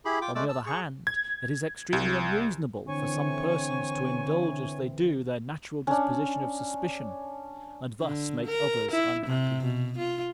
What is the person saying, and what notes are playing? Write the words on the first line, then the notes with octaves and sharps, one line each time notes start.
On the other hand, it is extremely unreasonable for some persons to indulge as they do, their natural disposition of suspicion, and thus make others unhappy.
E4 G4 G#4 B5
F4 G5 D6
G#3 A3 D5 D6 E6
A5 E6
G#4 C#6
G#6
C2
D3 E3 C4 C#5 G#5 C#6
C#4 D4
D3
A#4
E4
C3
B2
F4